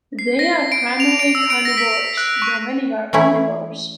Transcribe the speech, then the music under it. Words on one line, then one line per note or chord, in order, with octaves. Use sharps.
They are primarily carnivorous, though many are omnivorous.
C7
A#6
D7
F7
D7
E6
D7
A#6
B6
F#6
C#6
E3 A3 C#4 E4